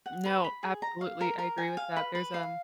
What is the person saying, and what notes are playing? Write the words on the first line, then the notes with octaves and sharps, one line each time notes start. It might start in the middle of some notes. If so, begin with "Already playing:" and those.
No, absolutely, I agree with that. There's um
F#5
B4
B5
G#4
A#5
F5
A#4
A#4
G#5
F5
B4
B4
F5